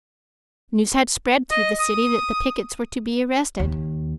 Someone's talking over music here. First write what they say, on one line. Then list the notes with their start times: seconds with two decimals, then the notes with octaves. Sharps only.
News had spread through the city that the pickets were to be arrested.
1.51 D#5
1.80 D#6
3.59 D#2